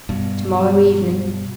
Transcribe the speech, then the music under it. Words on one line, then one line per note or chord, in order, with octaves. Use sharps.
"To-morrow evening."
G2 B2